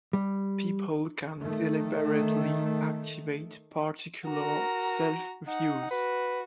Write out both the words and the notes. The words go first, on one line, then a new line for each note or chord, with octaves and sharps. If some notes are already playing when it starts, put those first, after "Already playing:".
People can deliberately activate particular self-views.
G3
D#3 A3
F#4 A#4 A#5
D#4 F#5
F#4 B4